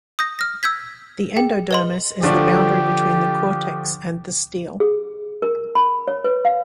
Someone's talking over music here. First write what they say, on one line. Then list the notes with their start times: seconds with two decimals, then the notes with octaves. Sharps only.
The endodermis is the boundary between the cortex and the stele.
0.19 D#6 G6 A#6
0.39 F6 A#6
0.63 E6 G6 G#6 B6
1.36 G#4 G5
1.71 B4 D#5 C6
2.23 D3 F3 A3 D4 G4
4.80 G#4
5.42 A#4
5.75 B5
6.08 C#5
6.24 B4
6.45 F5